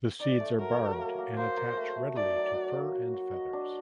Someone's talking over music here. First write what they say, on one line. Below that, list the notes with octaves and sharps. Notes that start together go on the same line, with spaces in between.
The seeds are barbed and attach readily to fur and feathers.
D#4 D5
A3
F#3 A#4
A3
A#3
A#3
A#3 C5
A#3
A3
A3
D#4 D5
F#3
F#4
A#3
F#4
F#4
D#5
D4